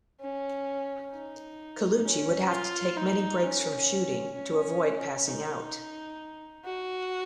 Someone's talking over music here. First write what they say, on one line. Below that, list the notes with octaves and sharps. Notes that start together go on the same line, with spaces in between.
Colucci would have to take many breaks from shooting to avoid passing out.
C#4
D#4
C#4
F4
D#4
C#4
C#4
D#4
F#4